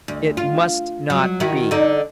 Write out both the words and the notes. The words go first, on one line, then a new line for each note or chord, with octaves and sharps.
It must not be!...
D2
F4
F#3
D#3 E4 F#4
D3 D#4